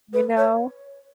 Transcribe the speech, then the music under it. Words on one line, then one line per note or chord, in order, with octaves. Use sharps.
you know?
B4
C#5